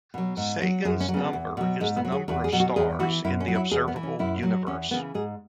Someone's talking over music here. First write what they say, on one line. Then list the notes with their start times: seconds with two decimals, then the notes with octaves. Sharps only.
Sagan's number is the number of stars in the observable universe.
0.14 B2 F#3
0.37 G#2
0.62 F#3
0.85 F#2 G#4
1.00 C#4
1.08 F#3
1.14 C#3 B3
1.33 E2
1.57 B2 F#3
1.80 G#2 G#3
1.97 B3
2.05 F#3
2.12 G#4
2.28 E2 F#4
2.44 G#4
2.52 B2 F#3
2.60 F#4
2.76 E2 G#4
2.99 E3 F#4
3.24 F#2 E4
3.40 C#4
3.48 F#3
3.55 E4
3.71 E2 G#4
3.88 B3
3.96 E3
4.03 C#4
4.19 F#2 E4
4.43 F#3
4.67 E2 C#4
4.91 C#3 E3 B3
5.14 G#2 G#4